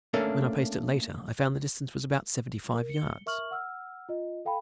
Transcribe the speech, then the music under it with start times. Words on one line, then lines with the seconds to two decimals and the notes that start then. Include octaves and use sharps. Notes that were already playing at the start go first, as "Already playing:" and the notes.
When I paced it later I found the distance was about seventy-five yards.
0.13 A3 A#3 C#4 D4 A4 A#4
2.74 A#4
2.90 C#7 G7
3.26 A#4 E5 C#6 F6 F#7
3.51 F#5 E6 F6
4.09 F4 D#5
4.45 A4 F5 G5 A5 B5